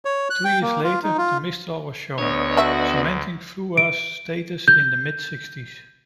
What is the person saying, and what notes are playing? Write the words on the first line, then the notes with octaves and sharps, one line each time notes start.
Two years later, the Mistral was shown, cementing Frua's status in the mid-sixties.
C#5
F#6
G5
A#3
F4
D#4
F4
D2 B3 D4 C#5 D#5
A3 F#4 E5
D7
G6